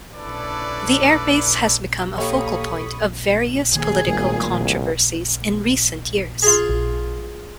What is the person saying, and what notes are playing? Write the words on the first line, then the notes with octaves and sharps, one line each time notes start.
The airbase has become a focal point of various political controversies in recent years.
C#4 D4 E4 A4 B4 D5
A#3 G4 A4 C#5 B5 C#6 D#6
D#3 A#3 G#4
G#1 A#2 D#3 G3 A3
C2
F4 G#4
A#1